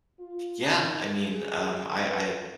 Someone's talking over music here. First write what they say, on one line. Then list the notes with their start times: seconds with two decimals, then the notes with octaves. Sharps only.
Yeah, I mean, um, I I
0.19 F4
0.73 D#3
1.23 G#4
2.02 B4